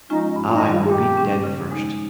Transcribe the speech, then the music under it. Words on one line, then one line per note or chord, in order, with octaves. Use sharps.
I would be dead first!
F3 G#3 C#4 D#4 F4
G2
F4
D#4
D#3 G3
F4
G#4
A#2 G4
G3 C#4
C#3
F3 G#3 D#4